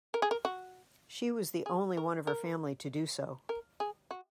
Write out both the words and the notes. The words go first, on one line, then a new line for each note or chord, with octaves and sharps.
She was the only one of her family to do so.
A#4
G#4
A#4
F#4
G#4
A#4
A#4
A#4
G#4
F#4